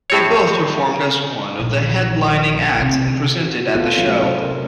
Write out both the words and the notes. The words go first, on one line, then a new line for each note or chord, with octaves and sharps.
They both performed as one of the headlining acts and presented at the show.
A2 C4 C#5
A#1
C3
F#4
B3 F4 G#4 A4
F#3 C#4 C#5 F5
A3
C3 C5
A#4